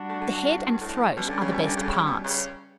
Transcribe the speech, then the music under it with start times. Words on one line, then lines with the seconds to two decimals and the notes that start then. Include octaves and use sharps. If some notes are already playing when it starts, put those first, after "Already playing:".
The head and throat are the best parts.
Already playing: G3 D4 F#4
0.09 A3
0.21 D3
0.44 A2
0.57 A2
0.69 G2
0.81 A2
1.17 B2 G3 C#4 G4
1.28 D3
1.41 C#3
1.52 B2
1.61 E3
1.64 D3
1.76 C#3
1.84 D3
1.89 C#3
2.06 B2
2.24 C#3